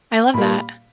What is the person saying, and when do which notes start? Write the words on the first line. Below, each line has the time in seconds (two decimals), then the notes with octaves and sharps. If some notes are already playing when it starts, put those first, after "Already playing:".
I love that.
0.34 A#2 G3 A#3 B5